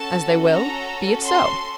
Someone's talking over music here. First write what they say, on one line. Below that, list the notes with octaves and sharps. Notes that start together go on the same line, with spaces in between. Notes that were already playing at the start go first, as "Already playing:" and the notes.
As they will. Be it so.
Already playing: C#4 F#4 A4 A5
A#5
C6